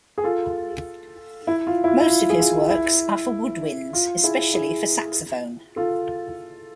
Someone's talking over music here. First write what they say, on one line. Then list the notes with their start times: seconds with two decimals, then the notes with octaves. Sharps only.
Most of his works are for woodwinds, especially for saxophone.
0.18 G#4
0.24 F4 A4
1.47 E4
1.67 F4
1.84 E4
1.87 F4
2.00 E4
2.09 F4
2.30 G#4
2.40 F4
2.70 E4
3.93 F4
4.23 E4 G#4
4.54 E4 G#4
5.76 F4 A4